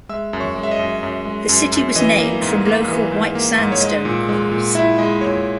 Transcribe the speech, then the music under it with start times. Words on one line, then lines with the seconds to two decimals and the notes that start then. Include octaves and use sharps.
The city was named from local white sandstone quarries.
0.09 G#3 E5 E6
0.33 F#2
0.40 C#5 C#6
0.56 G#3
0.63 E5
0.71 D#5
0.79 F#2
1.03 F#2
1.25 G#3
1.49 F#2
1.72 F#2
1.96 E3 D#5
2.19 A#3
2.42 G#2
2.65 A#3
2.88 E3
3.12 G#2
3.35 A#3
3.58 G#2
3.72 C#5
3.81 G#3 D#5
4.05 A#2
4.28 G#3
4.51 A#2
4.75 A#2 E4 E5
4.98 G#3 D#5
5.21 A#2 C#5